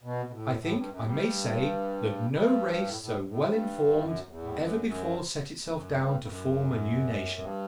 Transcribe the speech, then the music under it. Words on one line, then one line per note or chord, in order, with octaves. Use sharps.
I think I may say that no race so well informed ever before set itself down to form a new nation.
B2
B2
A2
A2
G2
F#2
G2
G2
A2
A2
A2
G2
E2
F#2
F#2
E2
A2
G2
F#2
F#2
E2
F#2
A2
G2
G2
F#2
G2